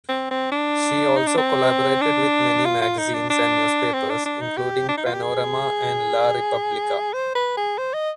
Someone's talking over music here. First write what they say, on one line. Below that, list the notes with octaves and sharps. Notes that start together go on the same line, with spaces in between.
She also collaborated with many magazines and newspapers including Panorama and La Repubblica.
C4
C4
D4
D#4
D4
C4
D4
F4
F4
D#4
D4
D4
C4
D4
D4
D#4
G4
D4
D#4
F4
G4
G#4
C5
B4
G#4
C5
D#5